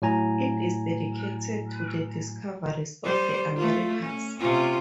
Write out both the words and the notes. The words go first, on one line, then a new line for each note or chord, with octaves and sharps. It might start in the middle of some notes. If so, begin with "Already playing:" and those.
It is dedicated to the "discoverers" of the Americas.
A2 F#3 G#5 A#5
G3 C5
A3 F4
C#4
C3 C#4 F4